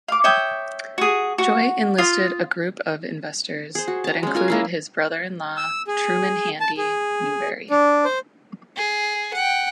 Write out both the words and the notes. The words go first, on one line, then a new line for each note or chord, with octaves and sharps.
Joy enlisted a group of investors that included his brother-in-law, Truman Handy Newberry.
F5 D6
C#5 E5 G5 D#6
F#4 G#4
F#4
F4 F5 D#6
G#4 C5
F#4
A5 A#5
G#3 C#4
F4 A#4 G#5 A#5
A#3 E4 F5
E6
G#4
A5
G#4
D4
C5
G#4
F#5 G5